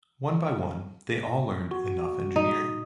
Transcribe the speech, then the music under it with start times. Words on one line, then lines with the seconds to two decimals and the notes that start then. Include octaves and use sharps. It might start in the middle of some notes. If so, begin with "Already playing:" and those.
One by one, they all learned enough engineering.
1.71 F#4
2.36 D#4